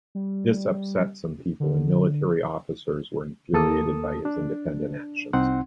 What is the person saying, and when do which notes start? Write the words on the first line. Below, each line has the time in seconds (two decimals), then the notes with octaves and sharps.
This upset some people and military officers were infuriated by his independent actions.
0.15 G3
1.60 D3
3.53 D#2 A#3 A4 A5 D#6
4.25 D4
5.33 C2 C4 D#4 F#5 C6